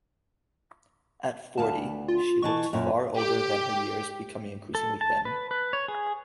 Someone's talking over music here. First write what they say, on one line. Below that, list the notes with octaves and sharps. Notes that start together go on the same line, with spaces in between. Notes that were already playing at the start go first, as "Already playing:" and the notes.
At forty, she looked far older than her years, becoming increasingly thin.
D2 B3 F5 A5
F4
B2 E3 A5 C#6
F#2 A#2
G4
A4
A5
B4
B4
C#5
G#4